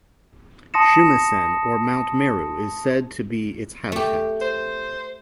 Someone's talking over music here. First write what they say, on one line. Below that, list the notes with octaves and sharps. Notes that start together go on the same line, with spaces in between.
Shumisen or Mount Meru is said to be its habitat.
A5 C6 D#6 A#6 C#7 E7
A3 G4
C5